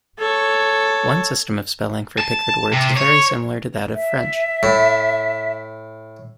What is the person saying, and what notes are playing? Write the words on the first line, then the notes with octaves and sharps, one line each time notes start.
One system of spelling for Picard words is very similar to that of French.
A4 C#5
A5
C3
C#5
E5
A2